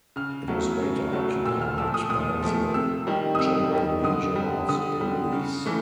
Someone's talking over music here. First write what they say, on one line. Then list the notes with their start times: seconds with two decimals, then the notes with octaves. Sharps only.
It was later occupied by the "Generalmajor" of the Police.
0.16 C#3 F6
0.48 F#3 A3
0.81 C#3
1.13 F#3 A3
1.45 A#2 E6
1.61 F6
1.78 F3 A3 E6
1.94 D#6
2.10 A#2 D#6
2.43 F3 A3
2.74 C3 E6
3.07 D#3 G3
3.35 D#6
3.39 C3 E6
3.72 D#3 G3
4.03 D3 D#6
4.36 G3
4.69 D3 D#6
5.01 G3
5.32 C#3
5.66 E3 A3